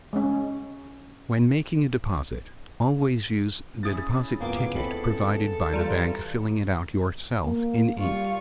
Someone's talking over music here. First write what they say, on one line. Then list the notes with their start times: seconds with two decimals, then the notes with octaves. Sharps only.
When making a deposit, always use the deposit ticket provided by the bank, filling it out yourself in ink.
0.13 G#3 C#4
3.83 C#4 E4 G#4 D#6 A6
4.41 C#2 G2 A#3 B3 F4 D6
4.76 D#2 C4 A4 B5
5.73 E3 G3 E4 F4 A#5
7.44 A#3
7.98 G3 F4 C#6